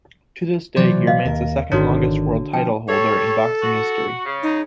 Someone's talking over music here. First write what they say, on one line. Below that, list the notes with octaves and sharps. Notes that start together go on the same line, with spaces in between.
To this day he remains the second longest world title holder in boxing history.
C3 E3 F#3 C5 D5
D#5 F5
D#2 A#4
G#1 D3 D#3 D4 F#4 C#5
F3 G5 A5
G3 A4 C#5
F#4
C#3
D#4